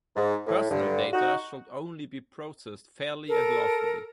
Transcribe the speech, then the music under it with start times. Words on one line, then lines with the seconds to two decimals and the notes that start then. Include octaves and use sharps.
Personal data should only be processed fairly and lawfully.
0.15 G#2
0.47 A2
0.70 G2 D3
1.12 D#4 F#4
3.28 A4 A#4